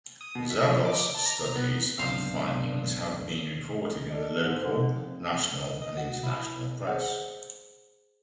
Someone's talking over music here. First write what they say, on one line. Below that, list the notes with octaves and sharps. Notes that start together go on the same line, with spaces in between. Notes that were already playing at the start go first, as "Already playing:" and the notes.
Zavos' studies and findings have been reported in the local, national and international press.
D#6
B2
E5
F3
D6
A5
A#5
B3
B1 G2 B2 C4 D4 C5 F5
A4 D5 D#5
G#2
D3 D#3
F2
D2
D#5
F#4
E4
G#4 C5 F#5